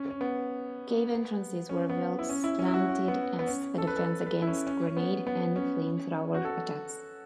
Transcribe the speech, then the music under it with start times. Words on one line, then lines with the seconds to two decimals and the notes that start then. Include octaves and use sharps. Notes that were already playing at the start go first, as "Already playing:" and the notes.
Cave entrances were built slanted as a defense against grenade and flamethrower attacks.
Already playing: C#4
0.10 C#4
0.21 B3
1.69 C#4
1.90 B3
2.19 E4
2.29 C#4
2.44 E4
2.59 C#4
2.68 E4
2.74 F#4
2.88 C#4
3.08 B3
3.39 B3
3.47 C#4
3.78 A4
3.87 B4
3.97 A4
4.27 B4
4.42 E4
4.47 C#4
4.67 C#4
4.87 C#4
4.97 B3
5.27 B3
5.56 C#4
6.35 F#4
6.45 A4